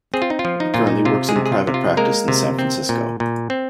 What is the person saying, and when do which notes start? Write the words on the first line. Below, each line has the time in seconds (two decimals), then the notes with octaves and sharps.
He currently works in private practice in San Francisco.
0.14 C4 G#4
0.22 F4
0.30 D#4
0.39 F4
0.45 F3
0.60 D#4
0.74 A#2 F4
0.87 D#4
1.05 C3 F4
1.29 G#3 G#4
1.36 C3
1.46 G#4
1.52 F4
1.67 C3
1.74 F4
1.97 G#3 A#3 A#4
2.28 C3
2.59 C4
2.89 A#2
3.20 A#2
3.50 C4